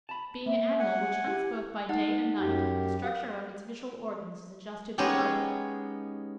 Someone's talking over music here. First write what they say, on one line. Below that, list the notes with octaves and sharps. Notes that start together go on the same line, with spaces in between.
Being an animal which hunts both by day and night, the structure of its visual organs is adjusted for both.
A5 B5
A#3 E5
F#5 G#5
E4 G4
D#4 F#5
F#2 G4
F5
G#3 B3 C#4 D#4 G4 G#4